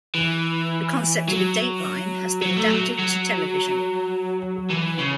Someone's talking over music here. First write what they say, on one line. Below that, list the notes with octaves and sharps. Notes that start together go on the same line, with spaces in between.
The concept of a dateline has been adapted to television.
E3
F#3
F#3
A3
F#3
F#3
E3
C#3